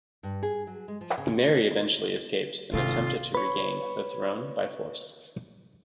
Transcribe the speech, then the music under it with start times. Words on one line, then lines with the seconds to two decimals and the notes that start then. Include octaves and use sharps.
Mary eventually escaped and attempted to regain the throne by force.
0.23 G2
0.43 G#4
0.67 F#3
0.88 G#3
1.01 F3
1.18 C#3
2.73 G#1 C3 F4 A4
3.35 B4 C#5